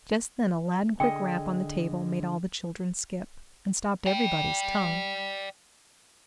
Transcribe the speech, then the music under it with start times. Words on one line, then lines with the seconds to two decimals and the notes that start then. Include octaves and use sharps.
Just then a loud and quick rap on the table made all the children skip, and stopped everybody's tongue.
1.00 D3 G#4 D#5 G5
4.06 D5 G5